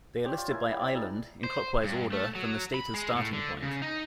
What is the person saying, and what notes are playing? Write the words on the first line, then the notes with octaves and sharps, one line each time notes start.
They are listed by island, in clockwise order, from the stated starting point.
D4 G4 C5 C#5
F4
E4 A#4 G#5
G3 B5 E6
D5 B5 D6
D#4 E4 G#4 A5
C5
G2
A3
F#3
B5
G#3
A2
D3
C#3
D#4